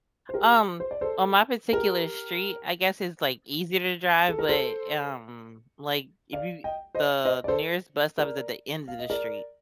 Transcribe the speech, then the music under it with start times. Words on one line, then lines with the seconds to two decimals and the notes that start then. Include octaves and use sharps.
Um, on my particular street, I guess it's, like, easier to drive, but, um, like if you the nearest bus stop is at the end of the street.
0.29 C5
0.34 G4 A#4
0.80 C5
0.91 D5
1.01 A4 C5
1.73 G4 A#4
4.28 A4
4.39 A#4
4.49 A4 C5
6.33 D5 F5
6.64 D#5 G5
6.95 C5 D#5
7.25 C5 D#5
7.44 D5
7.48 A4 C5
8.18 A#4 D5
8.88 F5
8.99 D#5
9.10 A#4 D5